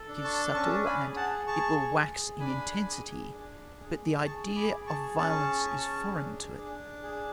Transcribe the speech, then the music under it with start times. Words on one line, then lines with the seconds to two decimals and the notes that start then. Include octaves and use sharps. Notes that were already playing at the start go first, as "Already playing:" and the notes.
It is subtle, and it will wax in intensity, but the idea of violence is foreign to it.
Already playing: A4
0.08 D4
0.24 A5 C#6
0.54 C#4 A5 C#6
0.86 G#5 B5
1.01 G#4
1.16 F#5 A5
1.47 G#4 A5 C#6
1.94 G#4
2.40 D4 G#5 B5
2.87 G#4
3.32 D4
3.80 G#4
4.25 G#4 A5 C#6
4.56 B5 D6
4.72 G#4
4.87 A5 C#6
5.18 C#4 A5 C#6
5.64 G#4
6.11 D4
6.57 D4
7.03 G#4